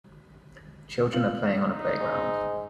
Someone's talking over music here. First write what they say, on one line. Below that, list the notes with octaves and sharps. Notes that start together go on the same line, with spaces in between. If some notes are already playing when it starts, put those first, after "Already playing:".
Children are playing on a playground.
F4 F#7
D#4
G#2